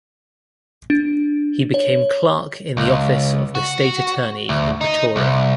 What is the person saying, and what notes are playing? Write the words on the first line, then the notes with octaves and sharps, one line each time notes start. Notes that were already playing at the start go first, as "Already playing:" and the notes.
He became clerk in the office of the State Attorney in Pretoria.
D4
C#5
C#2
F#4
D2
D#4
C2